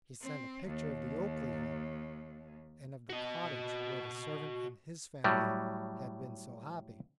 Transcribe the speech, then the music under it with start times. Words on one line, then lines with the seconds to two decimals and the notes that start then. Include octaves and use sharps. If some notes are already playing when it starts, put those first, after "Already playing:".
He sent a picture of the Oakley home and of the cottage where the servant and his family had been so happy.
0.22 C4
0.67 D#2
3.10 F#4 D#5
5.24 A2 F#3 G3